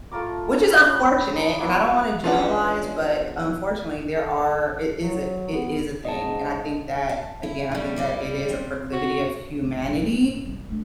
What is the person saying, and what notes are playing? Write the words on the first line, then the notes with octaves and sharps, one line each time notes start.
Which, is unfortunate, and I don't wanna generalize, but, unfortunately, there are it is a it is a thing, and I think that again, I think that it is a proclivity of humanity,
A3 F4 A#4 D6
C5 C#5 G#5 B5
G4 B4 G5
D#4 A5
A#3 B3 E4 F#4
E2 C#4 D4 F4 B4 F#5
A4
F#3
B3
G#2 D#5 A5
A5
E4
B2 G3 A3
E4 D5 D#5
C4
F#4
A3
A#1 F#3
A#3 C4
G#2
C2 G3
A3 D4